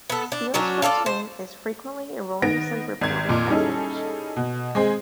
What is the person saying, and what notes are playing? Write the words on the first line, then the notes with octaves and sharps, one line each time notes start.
Steele's first name is frequently erroneously reported as Elisha.
B3 A4
D4
F#3 C#4 D4 F#4
F4 A4 C#5 D5
C5
D#3 B3 A#6 D7
G#1 G#6
F2 A#2
G3 C#4 D#4 E4 G#4 A4
B2
G#3 C4 G#4